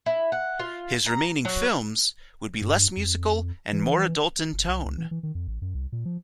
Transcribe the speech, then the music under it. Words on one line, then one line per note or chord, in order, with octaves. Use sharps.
His remaining films would be less musical and more adult in tone.
E4
F#5
F4
A#5
F#3
G2
F2
E3
F#1
C2
C#2
E3
E3
D#3
F2
A1
F#2
C2
A#2
F3